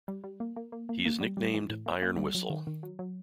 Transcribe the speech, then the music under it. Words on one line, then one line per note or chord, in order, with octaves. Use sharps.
He is nicknamed "Iron Whistle".
G3
G3
A#3
A#3
A#3
A#3
A#3
G3
G3
E3
A2
A#3
A#3
G3
F#3
D#3
D#3
F#3
F#3